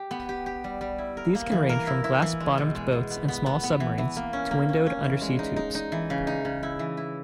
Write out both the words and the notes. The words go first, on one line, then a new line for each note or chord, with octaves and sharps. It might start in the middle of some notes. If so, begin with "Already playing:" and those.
These can range from glass-bottomed boats and small submarines, to windowed undersea tubes.
Already playing: G4
B3
G4
G4
G3
G3
E4
A#4
A#3
E3
A#4
E4
E4
E3
G#3
B2
G#3
B2
B3
B3
B3
B3
E3
E3
A#3
C#4
A#3
C#4
C#4
E3
G#3
D#4
D#4
D#4
E3
C#3
D#4
C#3
E4
E3
E4